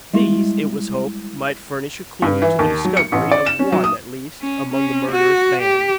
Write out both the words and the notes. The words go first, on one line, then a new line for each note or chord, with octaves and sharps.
These, it was hoped, might furnish a clew to the discovery of one at least among the murderous band.
G3 G#3 E4
G2
E3
D#2
F#3
C#7
A1
D5
E7
C#4
F#3
D#6
C#4
C#4
F#4
G4